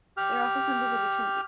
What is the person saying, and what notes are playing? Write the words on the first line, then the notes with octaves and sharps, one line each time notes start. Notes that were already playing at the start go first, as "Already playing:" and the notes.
They are also symbols of eternity.
G4 F6